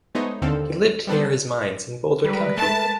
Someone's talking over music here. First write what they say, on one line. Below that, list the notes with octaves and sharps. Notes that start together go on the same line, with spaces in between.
He lived near his mines in Boulder County.
G#3 A3 B3 D#4 C5 C#5
D#2 D3 C4 A4 F5
G3 B3 D4 A4 C5
G3 G#3 A#4 B4
A3 A5